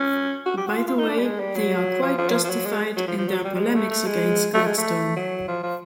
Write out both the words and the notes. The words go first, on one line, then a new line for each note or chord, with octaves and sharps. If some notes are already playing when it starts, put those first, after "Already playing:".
By the way, they are quite justified in their polemics against Gladstone.
Already playing: C#4
F#4
G4
F#4
F4
F4
D#4
D4
G3
G#3
G3
F#3
F3
F3
F#3
F3
F3
F#3
G#3
F#3
F3
F3
F#3
G3
G3
G#3
A3
A3
G#3
A3
G#3
A3
F#3
F3
F3